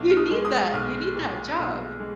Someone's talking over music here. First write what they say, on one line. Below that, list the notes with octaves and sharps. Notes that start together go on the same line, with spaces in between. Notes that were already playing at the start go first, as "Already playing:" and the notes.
You need that, you need that job.
Already playing: B1
F6
D#6
G#3
D#6
B1 F6
A#2
B1
G#3